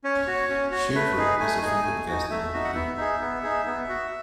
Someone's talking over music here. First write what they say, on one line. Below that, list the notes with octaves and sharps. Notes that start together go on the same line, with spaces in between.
Shaffer is a frequent guest in the media.
C#4 C#5
F#4
C#4
F#4
A3 B4
D#4 G#4
A3 G#5
D#4 G#4 G#5
A3
D#4 F#4
A3 E5
D#4 F#4
F#5
B3 E5
D#4 G#4
B3
D#4 G#4
B3
F#4